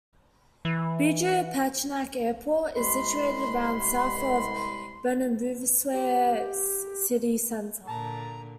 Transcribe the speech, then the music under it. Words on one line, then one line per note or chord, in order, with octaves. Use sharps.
Biju Patnaik Airport is situated around south of the Bhubaneswar city center.
E3
C2 G#3 B5 C6
G4
A#2 D3 A5 A#5